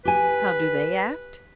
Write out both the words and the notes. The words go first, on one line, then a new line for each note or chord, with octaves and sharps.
How do they act?
G4 B4 G#5